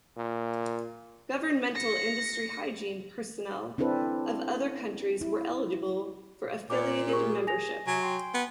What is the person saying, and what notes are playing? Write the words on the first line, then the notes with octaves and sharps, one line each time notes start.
Governmental industrial hygiene personnel of other countries were eligible for affiliated membership.
A#2
A#6 C#7
C4 D4 E4 A4 B4
E4
A#2 C#5 D5 D6
G4 G#4 A#4 C#6
G#5 A#6 F7
C3 F#3 G#5
G5 C6
B3